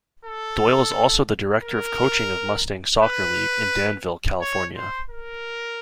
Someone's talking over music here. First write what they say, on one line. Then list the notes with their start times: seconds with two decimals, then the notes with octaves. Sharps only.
Doyle is also the Director of Coaching of Mustang Soccer League, in Danville, California.
0.25 A4
1.64 A#4
3.02 B4
4.41 C#5
4.76 C5
5.10 A#4